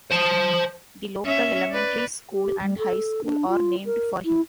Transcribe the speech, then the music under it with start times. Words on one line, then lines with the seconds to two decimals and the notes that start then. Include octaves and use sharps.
The local elementary school and high school are named for him.
0.11 C5 A5
1.25 C#4 E5
1.71 B4 D5
2.32 G4
2.62 G3
2.78 A4
3.24 D4
3.48 F4
3.86 A#4
4.25 E4